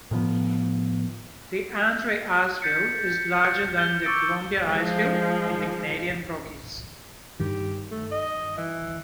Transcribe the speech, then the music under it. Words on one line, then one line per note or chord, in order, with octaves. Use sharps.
The Andrei Icefield is larger than the Columbia Icefield in the Canadian Rockies.
A2 D#3 F3 B3
G6 A6 B6 C#7
G6 A6 G7
C#6 D6 E6 A6 C#7 D7
F3 G#3
G2 D#3 G4
A3
D#5
E3